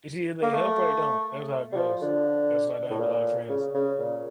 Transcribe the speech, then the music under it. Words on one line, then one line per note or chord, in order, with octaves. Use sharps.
It's either they help or they don't, that's how it goes. That's why I don't have a lot of friends,
A#3
A3
G3
F3
D3
A2
A#2
C#3
C#3
A#2